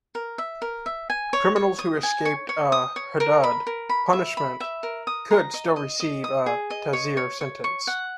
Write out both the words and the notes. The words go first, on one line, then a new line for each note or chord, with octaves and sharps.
Criminals who escaped a "hudud" punishment could still receive a "ta'zir" sentence.
A#4
E5
A#4
E5
G#5
C#5
C#5
D#6
G#5
C#5
C#5
D#6
C#5
A#4
B5
A#4
B5
E5
B5
E5
A#4
D#6
A#5
D#5
D#5
D#5
D#6
G#4
D#5
C#5
C#5
C#5
C#6
F#5